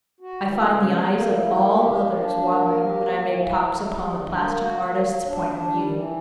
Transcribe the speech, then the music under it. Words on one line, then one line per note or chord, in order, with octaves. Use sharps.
I find the eyes of all others wandering when I make talks upon the plastic artist's point of view.
F#4
E3
C#3
B3
A#3
E4
A#3
G4
A#3
D4
A#3
A#4
G4
A#3
E3
E4
E4
G3
D3
A#3
F#4
A#3
F#3
D4
D4
G3
E3